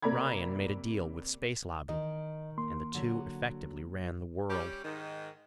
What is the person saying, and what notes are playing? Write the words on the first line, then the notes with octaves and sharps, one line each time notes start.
Ryan made a deal with Space Lobby, and the two effectively ran the world.
C3 A#3 D5 A#5 B5 G#6
D#3 D#5
A#3 C6
D3 F#3
G3 C#4 G4
G#2 D#3